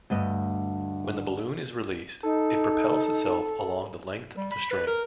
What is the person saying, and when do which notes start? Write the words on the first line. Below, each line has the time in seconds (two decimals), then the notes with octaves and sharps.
When the balloon is released, it propels itself along the length of the string.
0.10 D2 G2 D#5
2.24 D#4 A4
4.37 G3
4.52 B5
4.71 B4
4.87 A#4